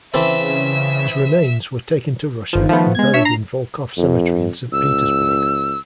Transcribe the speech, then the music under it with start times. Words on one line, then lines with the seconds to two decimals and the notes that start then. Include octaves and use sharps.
His remains were taken to Russia and buried in Volkoff Cemetery in Saint Petersburg.
0.14 C#3 E3 C4 A4 E5 E6
2.53 G1 D#3 F3
2.69 F3 A3 B3
2.95 G#3 B3 G#6
3.14 D4 C#5 E5 B6
3.25 A#5 C7
3.97 F2
4.73 C#2 E6